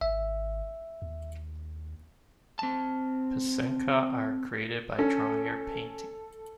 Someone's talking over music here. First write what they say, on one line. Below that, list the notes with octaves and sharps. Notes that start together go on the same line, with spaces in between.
Pacenka are created by drawing or painting.
G#1 E5
D#2
C4 A5
C#4 A4